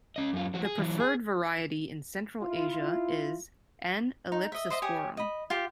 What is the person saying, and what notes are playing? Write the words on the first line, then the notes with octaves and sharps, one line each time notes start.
The preferred variety in Central Asia is "N. ellipsosporum".
C#4 D#5
F#2 F4
F3 F#4
G#4
E3 F#3
G#4
E4 F4
D#4
D#5 E5
C5 D#5 E5
G4 C#5 G#5 D#6
D#5 B5
F4 G4 G5